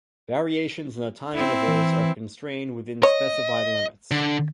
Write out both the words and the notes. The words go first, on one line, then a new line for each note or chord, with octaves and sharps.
Variations in the time intervals are constrained within specified limits.
C4 E4
E3
C#5 D#5
D3